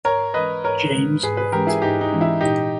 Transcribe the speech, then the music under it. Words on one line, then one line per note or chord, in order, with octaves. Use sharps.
James White.
G#2 A#4 C#5
E3 G#3 C#4 B4 D#5
G#2 A#4 C#5
E3 G#3 C#4
G#2 G#4 B4
G#4 B4
E3 G#3 C#4 G4 A#4
E4 G#4
G#2 D#4 G4
D#4
E3 G#3 C#4
E4
A#2 D#4 G4